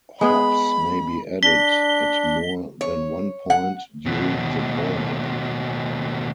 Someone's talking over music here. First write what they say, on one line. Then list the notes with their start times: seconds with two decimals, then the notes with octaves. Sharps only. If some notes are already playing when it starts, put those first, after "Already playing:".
Hops may be added at more than one point during the boil.
0.21 G#3 B3 G#4 B5
1.43 D4 A#6 B6 G7
2.81 C#5
3.50 F#5
4.06 D#2 B2